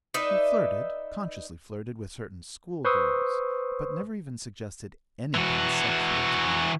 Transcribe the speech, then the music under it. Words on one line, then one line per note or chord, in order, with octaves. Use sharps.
He flirted, consciously flirted, with certain school-girls, but never even suggested anything sexual to them.
D#4 B4 D5 E5
B4 C5 C6 C#6 D#6 E6
E3 F#4